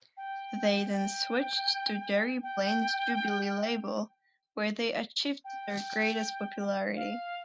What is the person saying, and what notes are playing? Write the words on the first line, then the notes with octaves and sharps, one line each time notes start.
They then switched to Jerry Blaine's Jubilee label, where they achieved their greatest popularity.
G5
G5
G5
G5
F5